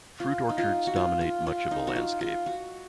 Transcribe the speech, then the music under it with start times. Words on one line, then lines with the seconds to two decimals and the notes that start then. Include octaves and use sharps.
Fruit orchards dominate much of the landscape.
0.20 F4
0.49 D#4
0.58 F4
0.87 F#4
0.96 F4
1.21 F4
1.47 F4
1.71 D#4
1.87 F#4
1.96 F4
2.21 F4
2.46 F#4